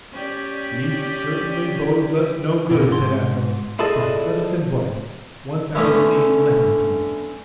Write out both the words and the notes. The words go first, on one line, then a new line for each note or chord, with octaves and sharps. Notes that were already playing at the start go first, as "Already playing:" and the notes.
"He certainly bodes us no good," said Athos; "but let us embark; once out at sea, let him come."
C#4 G4 D5
B2 D3 E3
G#2 C6
E4 F4 G#4 A4 D5 D#5
D3 A3 B3 C#4 E4